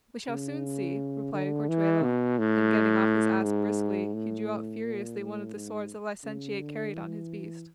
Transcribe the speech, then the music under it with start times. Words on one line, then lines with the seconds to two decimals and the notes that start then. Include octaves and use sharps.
"We shall soon see," replied Corchuelo, and getting off his ass briskly, he drew out furiously one of the swords the licentiate carried on his beast.
0.29 C#3
1.34 D3
1.69 E3
2.03 B2
2.39 A2
3.44 G#2
4.14 A2
4.85 A#2
5.19 A2
5.55 G#2
6.24 C#3
6.60 D3
6.94 E3